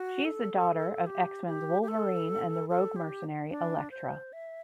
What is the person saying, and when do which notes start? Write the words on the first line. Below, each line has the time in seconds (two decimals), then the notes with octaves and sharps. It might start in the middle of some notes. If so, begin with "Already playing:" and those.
She is the daughter of the X-Men's Wolverine and the rogue mercenary Elektra.
Already playing: F#4
0.25 A4
1.07 G4
1.47 G4
1.82 G4
1.88 A4
2.70 A4
2.96 G4
3.50 D4
3.91 C5
4.33 E5